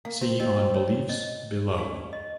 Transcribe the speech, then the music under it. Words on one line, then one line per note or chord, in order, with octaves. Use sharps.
See on "Beliefs" below.
A#3 F5
C4
C4 D#5
C#5
D#5
C#4 F5
D#5